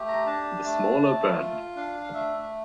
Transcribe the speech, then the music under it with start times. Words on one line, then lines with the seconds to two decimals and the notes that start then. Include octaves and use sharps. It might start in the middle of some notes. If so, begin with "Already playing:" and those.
The smaller band.
Already playing: A3 G4
0.08 A#5
0.26 D4 A5
0.64 A3
1.02 A3
1.39 F4
1.76 D4 F5
2.04 F5
2.14 A3 E5